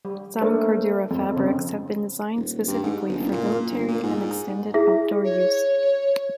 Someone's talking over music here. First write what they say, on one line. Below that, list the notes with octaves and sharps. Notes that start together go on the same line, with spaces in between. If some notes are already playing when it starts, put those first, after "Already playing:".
Some Cordura fabrics have been designed specifically for military and extended outdoor use.
G3
A3 A#3 D4 A#4 C5
F2 G#3
C#3 C4
D#1
G2
G#2
G1
F#1
A#2
G1
A#2
G#2
E4 G#4 E5
C#5